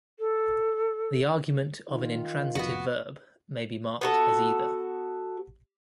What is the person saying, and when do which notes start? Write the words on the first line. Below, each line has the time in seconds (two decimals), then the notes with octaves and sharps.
The argument of an intransitive verb may be marked as either.
0.19 A4
1.89 D#3 F4
2.55 F1 B3 F#4
4.01 B3 F#4 A4